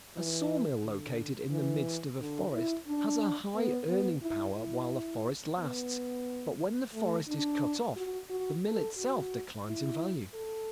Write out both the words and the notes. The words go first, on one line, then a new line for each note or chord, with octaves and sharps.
A sawmill located in the midst of a forest has a high-earning power while the forest lasts, but when the forest is cut off the mill itself declines in value.
E3
D3
E3
D3
E4
D4
B3
B3
E4
E4
B3
A3
D4
F#4
F#4
A4
F#4
E4
A4